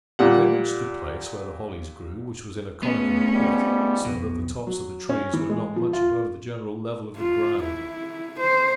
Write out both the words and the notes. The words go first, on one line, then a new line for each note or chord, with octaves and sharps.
They reached the place where the hollies grew, which was in a conical pit, so that the tops of the trees were not much above the general level of the ground.
A#2 G3 F#5
C#2 A3 B3 C#4
G#2 F3 G3
B1 F2 B2
F#3
C#4
E3
G#3
F3
F4
F4
E4
C5